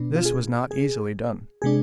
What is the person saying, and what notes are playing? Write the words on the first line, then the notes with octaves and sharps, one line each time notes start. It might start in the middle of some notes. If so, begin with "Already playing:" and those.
This was not easily done.
Already playing: B2 B3 D4
F4
G#4
G#4
C3 G#3 D4 G#4